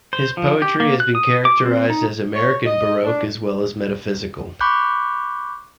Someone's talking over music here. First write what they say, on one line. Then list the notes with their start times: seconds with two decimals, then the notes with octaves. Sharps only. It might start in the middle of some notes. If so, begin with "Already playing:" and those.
His poetry has been characterized as "American Baroque" as well as Metaphysical.
0.13 C5
0.37 F3
0.62 G4
0.80 A#3
1.00 F#6
1.15 D#6
1.45 D6
1.66 C4
1.90 D#4
2.34 C#5
2.66 D#5
3.05 D4
4.61 B5 C#6 D6 F#6 G6